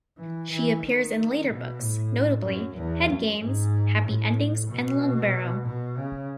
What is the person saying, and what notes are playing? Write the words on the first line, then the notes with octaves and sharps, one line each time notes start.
She appears in later books, notably "Head Games", "Happy Endings", and "Lungbarrow".
E3
E3
D#3
B2
A2
F#2
E2
F#2
G#2
A2
B2
B2
C#3